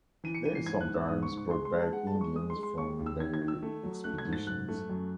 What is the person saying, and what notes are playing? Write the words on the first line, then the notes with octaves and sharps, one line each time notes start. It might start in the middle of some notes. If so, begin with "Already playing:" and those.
They sometimes brought back Indians from their expeditions.
E3 D#7
C#7
E3 D#7
C7
G#2 G#6
F#6
G#2
E6
G#2 D#6
C#6
G#2
C#6
G#3 C6
C6
G#3
A5
G#3 F#5
A5
G#3
C#6
G#3 D#6
C6
G#3
C6
D#2 C#6
D#2
E6
D#3 G#6
G#6
D#3
E6
A3
F#3
A3 F#6
G#6
G#2
A6
F#2 F#6
A3
F#2